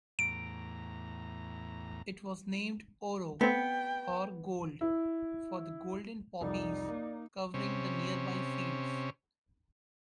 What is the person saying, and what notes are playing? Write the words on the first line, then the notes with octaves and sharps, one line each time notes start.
It was named 'oro', or gold, for the golden poppies covering the nearby fields.
E2 A2 A#5 D7
A3 B3 C4 G5
E4
C2 F2 D#4 D5
A#3
C3 C#4